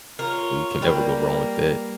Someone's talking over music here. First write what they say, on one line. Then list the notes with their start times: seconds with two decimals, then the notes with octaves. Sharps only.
Well, you can never go wrong with that.
0.19 F4 A#4 C#5
0.82 G3 A#3 B4